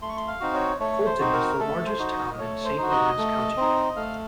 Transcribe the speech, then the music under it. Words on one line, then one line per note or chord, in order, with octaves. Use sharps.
Colton is the largest town in Saint Lawrence County.
A3 C6
C#6
C6
F5
C4 D#4 F#4
C#5
A3 C#5
C5
C4 D#4 F#4
A#4
A3 A4
C5
D#4 F#4
D#5
A3 C#5
C5
D#4 F#4
D#5
A3
C4 D#4
A3 F5